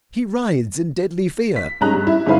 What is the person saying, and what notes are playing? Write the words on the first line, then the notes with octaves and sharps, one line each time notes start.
He writhes in deadly fear.
B6
G2 G#3 C#4 D#4 A#5 F#6
G2
E4
G1 G#2 C#4 E4 B4 F5